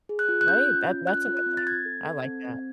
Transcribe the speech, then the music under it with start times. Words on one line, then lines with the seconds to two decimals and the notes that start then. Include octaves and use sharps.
Right. That that's a good thing. I like that.
0.09 G#4
0.19 F#6
0.29 F4
0.41 F#6
0.48 C#4 G6
0.68 F4
0.88 C#4
1.07 F4 F#6
1.27 F4
1.37 F#6
1.46 C4
1.57 A6
1.66 C4 G#6
1.85 A4
2.05 A4
2.24 C4
2.45 C4